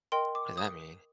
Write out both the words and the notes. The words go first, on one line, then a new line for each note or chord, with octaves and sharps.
What does that mean?
A#4 D#5 G5 C6
D6
D#6